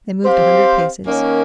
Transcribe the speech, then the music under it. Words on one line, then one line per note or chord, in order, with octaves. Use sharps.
They moved a hundred paces.
C4 G4 C5 F5
D#3 A#3 C#4